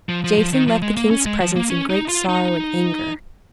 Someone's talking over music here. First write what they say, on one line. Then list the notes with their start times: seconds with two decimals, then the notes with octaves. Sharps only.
Jason left the king's presence in great sorrow and anger.
0.09 F3
0.24 F3
0.38 F3
0.53 D#3
0.67 F3
0.82 G#3
0.97 A#3
1.11 C#4
1.26 G#3
1.40 F3
1.56 A#3
1.70 C#4
1.90 D#4
2.08 F4
2.29 D#4